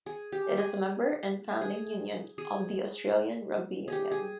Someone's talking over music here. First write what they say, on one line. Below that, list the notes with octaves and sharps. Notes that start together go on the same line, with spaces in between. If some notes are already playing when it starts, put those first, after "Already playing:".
It is a member and founding union of the Australian Rugby Union.
G#4
G4
G#4
G#4
G#4
G4 G#4
G#4